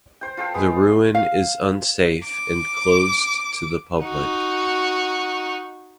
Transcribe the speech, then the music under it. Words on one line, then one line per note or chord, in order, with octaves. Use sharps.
The ruin is unsafe and closed to the public.
C5 G5
F4 A4 G5
G#3 B3
F5
D6
D#4 F#4